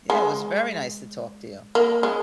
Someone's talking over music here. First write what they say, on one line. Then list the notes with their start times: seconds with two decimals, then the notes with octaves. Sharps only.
Yeah, it was very nice to talk to you.
0.10 G#3
1.75 A#3
2.03 G#3